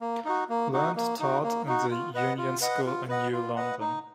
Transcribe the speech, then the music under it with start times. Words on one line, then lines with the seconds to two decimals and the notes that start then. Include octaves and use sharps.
Learned taught in the Union School in New London.
0.01 A#3
0.25 D#4 F#4
0.49 A#3
0.73 D#4 F#4
0.96 A#3
1.20 D#4 F#4
1.43 A#3
1.66 D#4 F#4
1.91 F4
2.14 B4 D#5 F#5
2.38 F4
2.61 B4 D#5 F#5
2.86 F4
3.09 B4 D#5 F#5
3.33 F4
3.56 B4 D#5 F#5
3.80 D#4